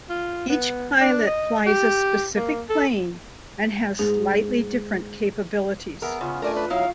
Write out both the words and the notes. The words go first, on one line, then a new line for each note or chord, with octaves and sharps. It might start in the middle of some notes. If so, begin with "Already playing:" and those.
Each pilot flies a specific plane and has slightly different capabilities.
F4
B3
D4
D#5
G4
A#3
A4
G#2 G#4
B3 G#4 A#4 E5
C#3 C#4 F4
A3 D4 A#4 D5 G#5
B4
F#3 D#4 E4 F5